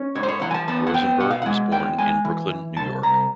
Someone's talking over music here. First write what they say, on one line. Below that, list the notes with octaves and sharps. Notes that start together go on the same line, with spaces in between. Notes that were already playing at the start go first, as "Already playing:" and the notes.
Rosenberg was born in Brooklyn, New York.
Already playing: C#4
G#2 C#5
C5
C#5
E3 F#5
G#5
A5
B3 A5
F#5
B3 G5
B2 F#5
F5
G#3 F#5
E2 G5
G#3 G#5
E3
E3
C2 A5
C2 A#5